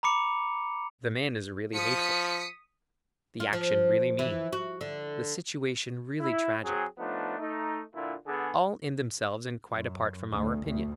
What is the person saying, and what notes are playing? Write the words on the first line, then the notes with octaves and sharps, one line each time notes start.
The man is really hateful; the action really mean; the situation really tragic--all in themselves and quite apart from our opinion.
A#5 B5 D6 C#7 F7
F3 D#6 B6 C#7
F4
F3
E3
F#4
D3
E4
F#3 C4 G#4
F3 A3 B3 D4 D#4
A3 D#4
A#2 D3 E4 F4
D3 B3 G#4
F#2
D2
D2